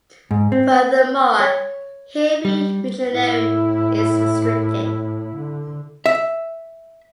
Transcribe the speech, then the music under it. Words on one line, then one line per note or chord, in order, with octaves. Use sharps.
Furthermore, "heavy machinery" is restricted.
G#2
C4
C#5
G3
A2 E4
D3
E5